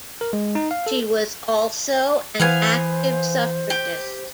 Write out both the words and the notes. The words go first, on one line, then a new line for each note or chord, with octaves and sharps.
She was also an active suffragist.
A#4
G#3
D#4
F5
A4
E3 B3 C5 F5 G#5
G4